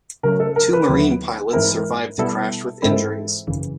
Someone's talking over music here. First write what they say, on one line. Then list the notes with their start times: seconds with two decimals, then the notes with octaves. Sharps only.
Two Marine pilots survived the crash with injuries.
0.23 C#3 F#3 A3 A#4
0.40 A4
0.56 A#4
0.73 B4
0.89 D#2 D3 F#3 B3 E4
1.53 G#2 E3 G#3 C4 E4 A#4
2.18 B2 G3 B3 E4 A4
2.82 G#2 E3 G#3 C4 E4 A4
3.47 G#1 F#2 C#3 E3